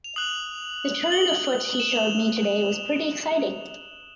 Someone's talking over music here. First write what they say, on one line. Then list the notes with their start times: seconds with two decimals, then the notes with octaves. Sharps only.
The turn of foot he showed me today was pretty exciting.
0.04 F7
0.16 D#6 F#6 F#7
1.03 F#7
1.12 G7
1.21 F#7
1.80 E7
1.89 F7